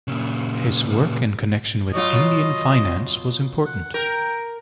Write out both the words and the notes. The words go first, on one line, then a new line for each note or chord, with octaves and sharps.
His work in connection with Indian finance was important.
A#2 C#3
B2 F#3 F4 D#5
F#5
A#4 G5